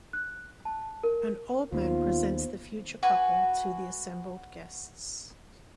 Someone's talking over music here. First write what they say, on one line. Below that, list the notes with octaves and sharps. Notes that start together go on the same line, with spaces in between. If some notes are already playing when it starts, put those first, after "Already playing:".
An old man presents the future couple to the assembled guests.
F#6
A5
A#4
D#2 D#3 B3 F4 C5
F#4 B4 G#5